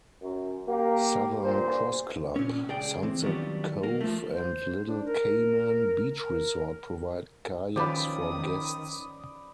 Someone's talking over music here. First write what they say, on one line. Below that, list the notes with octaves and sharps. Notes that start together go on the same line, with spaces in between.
Southern Cross Club, Sunset Cove and Little Cayman Beach Resort provide kayaks for guests.
F#2
A#3 G4
G2 A#2 C5
A#2 C#4
C#2 G#4 D5 G5
E3 C4
D#3 F#3 G3 B3 D4 F4
A#3
F3 A3
C5
D4
A#4
A#4
D#3 F3 C#4 B4 D5 B5 D#6